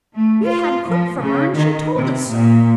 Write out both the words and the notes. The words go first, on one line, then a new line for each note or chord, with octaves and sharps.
We had cook from her, and she told us so.'
A3
F4
F3
C#3
D#3
C3
A#2